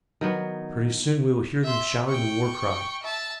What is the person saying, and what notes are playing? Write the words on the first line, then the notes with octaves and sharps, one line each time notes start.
Pretty soon we will hear them shouting the war-cry.
D#3 F#3 B3
E5 C6
G5 C#6
E5 A5